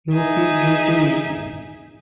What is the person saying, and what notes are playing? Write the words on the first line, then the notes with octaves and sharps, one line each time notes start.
You feel guilty.
D#4 G#4 E5